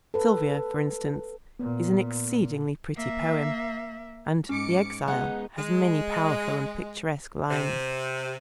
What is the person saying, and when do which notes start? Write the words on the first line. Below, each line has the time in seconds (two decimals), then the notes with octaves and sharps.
Sylvia, for instance, is an exceedingly pretty poem, and The Exile has many powerful and picturesque lines.
0.14 A4 B4
1.59 A#2 B3
2.96 A#3 E5
4.49 G#2 C#4 D6 C#7
5.08 G#3 B3 D#4 F#5
5.58 G#3
7.50 C3